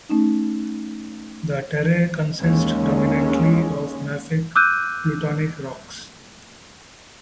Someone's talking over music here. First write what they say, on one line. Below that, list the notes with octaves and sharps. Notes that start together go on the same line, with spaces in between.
The terrae consist dominantly of mafic plutonic rocks.
A3 C#4 D#4
D#2 G#3 C#4
D6 E6 F#6 G6 D#7